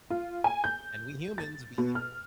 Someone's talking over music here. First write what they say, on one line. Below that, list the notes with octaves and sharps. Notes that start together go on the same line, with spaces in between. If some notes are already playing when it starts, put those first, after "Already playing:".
And we humans, we
F4
G#5
G6
A6
B2
F6